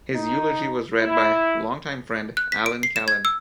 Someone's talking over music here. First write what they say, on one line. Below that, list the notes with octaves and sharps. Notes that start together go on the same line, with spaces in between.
His eulogy was read by longtime friend Alan Callan.
D#4
E4
F#6
B6
D7
C7
E7
G#6
E6